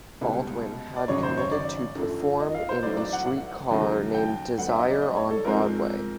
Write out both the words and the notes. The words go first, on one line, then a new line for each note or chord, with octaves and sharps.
Baldwin had committed to perform in "A Streetcar Named Desire" on Broadway.
C#2 B2 G3 B3
D5
G#1 F#2 C#3 F#3 C#5
C5
C#5
D5
F#2 D3 F3 A3
D#5
F5
C5
A1 A2 F#3 A3 D5
D5
F#5
F#5
D#2 C#3 F#3 A3
G5
D2 D3 F#3 B3 F#5
E5
D#5
D5
D#5
C#5
A4
G#2 F3 G#3 C4 A#4